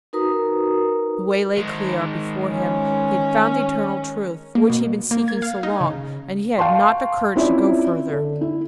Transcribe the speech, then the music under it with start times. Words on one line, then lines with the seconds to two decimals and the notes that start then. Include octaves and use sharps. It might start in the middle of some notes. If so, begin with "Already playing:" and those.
The way lay clear before him; he had found the Eternal Truth for which he had been seeking so long, and he had not the courage to go further.
0.13 D#4 F#4 A#4 B4 A#5 D#6
1.57 D#3 G#3
2.50 C#4
4.55 A#3
4.70 B2
5.11 A#3
5.28 G#6
5.42 F5
5.63 D#4
5.81 C#3
6.58 F5 G5 A5 C6 C#6
7.36 C4 C#4 E4 F4 D5 E5
8.09 D3
8.41 E4